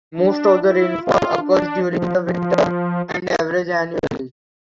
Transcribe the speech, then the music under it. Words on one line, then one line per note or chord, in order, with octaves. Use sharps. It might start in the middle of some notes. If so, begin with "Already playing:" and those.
Most of the rainfall occurs during the winter and averages annually.
D4
E4
F4
D4
F3
F3